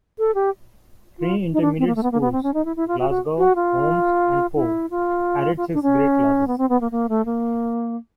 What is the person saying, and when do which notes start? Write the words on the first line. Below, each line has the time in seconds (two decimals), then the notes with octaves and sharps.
Three intermediate schools, Glasgow, Holmes and Poe, added sixth grade classes.
0.19 A4
0.35 G4
1.19 F4
1.53 D#4
1.62 D4
1.79 C4
1.87 A#3
1.96 A3
2.03 B3
2.12 A#3
2.21 B3
2.32 C4
2.43 C#4
2.54 D#4
2.65 E4
2.76 E4
2.88 F4
3.00 F#4
3.10 F#4
3.38 F#4
3.56 F4
4.56 E4
4.91 F4
5.57 F4
5.74 D4
5.83 C#4
6.47 B3
6.58 C4
6.69 B3
6.81 A#3
6.92 A#3
7.09 A3
7.25 A#3